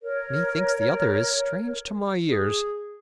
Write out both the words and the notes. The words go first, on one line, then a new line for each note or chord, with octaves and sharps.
Methinks the other is strange to my ears.
A#4 C#5
G#4